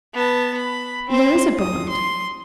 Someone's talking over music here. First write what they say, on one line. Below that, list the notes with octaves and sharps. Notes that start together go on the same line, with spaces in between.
"There is a bond."
B3 A5
B5
C4 C5
D#6
C6